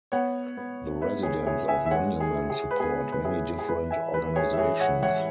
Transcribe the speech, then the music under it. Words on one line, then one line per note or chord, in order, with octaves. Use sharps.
The residents of Monument support many different organizations.
B3 C#5 F#5
B3
B3 B4 E5
G#4 C#5
E4 G#4 C#5
E5 G#5
E5
G#3 C#5 F#5
G#4
E4
G#4
B4
B3 G#4
B4
E4 G#4
G#4
E3 B4
E5 G#5
E3 B4
G#4 C#5
E5
E3 G#4 C#5
C#5 F#5
E3 C#5 F#5